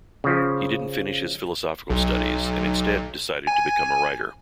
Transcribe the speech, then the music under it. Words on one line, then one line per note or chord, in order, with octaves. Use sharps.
He didn't finish his philosophical studies and instead decided to become a writer.
C#3 F3
B1
G#5